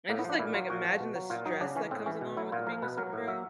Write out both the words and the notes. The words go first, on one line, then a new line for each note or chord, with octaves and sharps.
And just like like, imagine the stress that comes along with the being a superhero
A2 A#3
B3
F3
D4
A#2 E4
F#3 F4
A#2 F#4
F3
B2
F#3
A#2 F4
F#3 D#4
C#3 D4
E3 C#4
A2 C4
E3 C#4
B2
F#3 E4
A#2 F4
F3 A#4
B2 B4
F#3 A#4
A2
F#3 E5